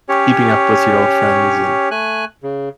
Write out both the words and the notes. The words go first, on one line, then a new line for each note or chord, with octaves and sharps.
keeping up with your old friends and
C#4 G4 C#5
A3 G#5 F#6
C#3